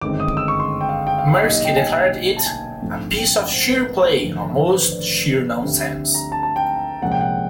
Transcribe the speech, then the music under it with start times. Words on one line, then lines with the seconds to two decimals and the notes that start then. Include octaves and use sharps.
Mirsky declared it "a piece of sheer play, almost sheer nonsense".
0.01 G1 F#2 D#3 G#3 C4 D6
0.20 D#6
0.37 E6
0.48 C#6
0.60 C6
0.81 G5
0.89 F5
1.07 G5
1.18 F5
1.41 B1 A#2 G3 A#3 C#4 D#5
1.54 D#5
1.65 G5
1.76 G#5
2.37 A5
2.46 G#5
2.82 A#1 G#2 F3 A3 C4
3.17 G5
3.34 F#5
3.52 C5
3.69 B4
3.87 A#4
4.22 G#1 F#2 D3 F3 A3
4.57 C5
4.75 B4
4.92 D5
5.62 D2 D3 G3 C4
5.80 E5
6.15 A#5
6.32 A5
6.43 A5
6.56 G5
7.02 C2 A#2 F3 G#3 C#4 F#5
7.12 G5
7.21 F#5